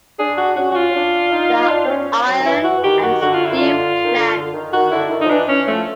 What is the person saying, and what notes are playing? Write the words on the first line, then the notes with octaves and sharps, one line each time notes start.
There are iron and steel plants.
D4 G#4
F#4
C#4 F#4
F#4
F4
C#4
D4
D#4
D4
C4
C#4
F#3
D#3
E3 E4
F#4
E3
D#3 G4
F#4
D3 F#4
F4
E4
D#3
D3 F4
D#3
D3
D3
D#3
D#3 F#4
D3 E4
D#3
F3 D#4
E3 D4
E3 C#4
F3 A3